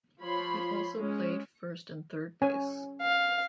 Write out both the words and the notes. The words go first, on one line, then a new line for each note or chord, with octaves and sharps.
He also played first and third base.
F3 F4 C#5 B5 C6
G#3 C#4
C#4 C#5 G#5
F5